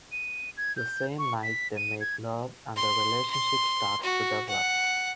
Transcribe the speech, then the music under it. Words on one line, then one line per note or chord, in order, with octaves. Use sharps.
The same night they make love and their relationship starts to develop.
D#7
G#6
G6
C#6
B6
D#7
G#6
C6
C6
F#4
F#5